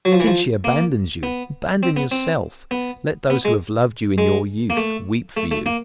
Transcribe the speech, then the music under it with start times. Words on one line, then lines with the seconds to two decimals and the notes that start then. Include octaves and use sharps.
Since she abandons you, abandon yourself! Let those who have loved you in your youth weep for you!
0.05 F#3
0.12 F3
0.20 E3
0.27 F3
0.64 A#3
1.23 B3
1.83 C4
1.97 B3
2.11 C4
2.71 B3
3.30 B3
3.45 G#3
4.18 G#3
4.70 A#3
4.77 A3
5.37 A3
5.51 A3
5.66 A#3